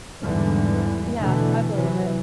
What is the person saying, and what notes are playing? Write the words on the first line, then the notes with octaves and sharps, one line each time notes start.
Yeah, I believe it.
E2 G#2 D3 E3 G3
B2 D3 E3 A3
C3 E3 F#3